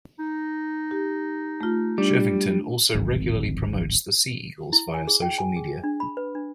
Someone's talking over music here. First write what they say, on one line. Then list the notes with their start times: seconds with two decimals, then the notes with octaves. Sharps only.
Shirvington also regularly promotes the Sea Eagles via social media.
0.19 D#4
0.91 G4
1.61 A3 F4
1.98 G3 D4
2.95 D1 G#1 F2
4.73 E4
4.94 G#5
5.07 G#4
5.22 G5
5.38 G#5
5.56 G#4
5.84 D4
6.00 B5
6.17 B4
6.35 D4